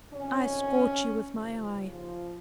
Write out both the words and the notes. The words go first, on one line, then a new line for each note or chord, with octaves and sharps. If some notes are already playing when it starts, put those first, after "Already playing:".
I scorch you with my eye!
F2 C3 D#3 C#4
D#2 C#3 F3
F3